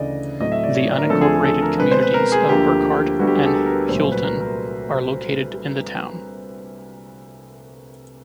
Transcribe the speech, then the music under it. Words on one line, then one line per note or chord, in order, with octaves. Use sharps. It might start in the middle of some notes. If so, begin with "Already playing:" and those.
The unincorporated communities of Burkhardt, and Houlton are located in the town.
Already playing: D2 C#3 E3 D5 D#5
A2 F#3 A3 C4 D#5
E5
D5
C#5
D5
A#4
D2 D3 F3 A3 C4 A4
G#4
G#4
A4
A#4
B2 G#3 C4 B4
C5
B4
A#4
G#4
D2 D3 F3 A#3 G4
D2 D3 G3 B3 F#4
G4
G#4
A4
A#4
A#4
B4
C2 A#2 F#3 A3 C5
C5
B4
A#4
A#4